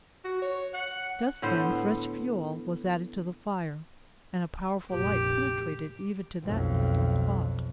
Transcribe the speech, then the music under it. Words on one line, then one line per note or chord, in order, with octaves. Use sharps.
Just then fresh fuel was added to the fire, and a powerful light penetrated even to that distant spot.
F#4
C#5
F#5
A2 D3 B3 C5
F1 A#1 G4
B1 F2